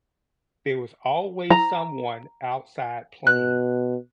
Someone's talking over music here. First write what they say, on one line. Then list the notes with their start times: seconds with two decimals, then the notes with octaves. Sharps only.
there was always someone outside playing.
1.50 A#5
3.27 B2 F#6